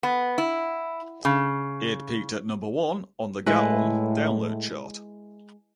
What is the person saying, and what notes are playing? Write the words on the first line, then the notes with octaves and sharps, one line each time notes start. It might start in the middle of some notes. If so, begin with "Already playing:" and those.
It peaked at number one on the Gaon Download Chart.
B3
E4
C#3
A2 G#3 E4 B4